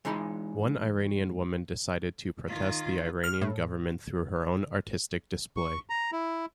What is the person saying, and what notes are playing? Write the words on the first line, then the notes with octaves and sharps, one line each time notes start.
One Iranian woman decided to protest the Iranian government through her own artistic display.
E3 G#3 D#4 B5 C6
D#3 F4
F6
A2
C#6
A#5
E4